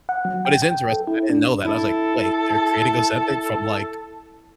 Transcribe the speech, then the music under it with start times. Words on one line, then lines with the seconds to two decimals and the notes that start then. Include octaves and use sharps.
But it's interesting. I didn't know that. I was like, "Wait, they're creating Ozempic from, like,
0.09 F#5
0.25 F#3
0.45 G5
0.62 G5
0.92 A4
1.07 E4
1.30 D4
1.65 E4 A4